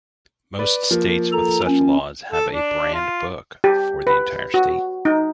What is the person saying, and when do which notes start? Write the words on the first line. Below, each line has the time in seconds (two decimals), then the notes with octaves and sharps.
Most states with such laws have a Brand Book for the entire state.
0.59 B4 D5
0.91 F3 A#3
1.32 A4 A#5
1.67 C#4
2.32 A4
2.53 D4
2.93 F4
3.64 G4
4.07 B4
4.54 F#4
5.05 D#4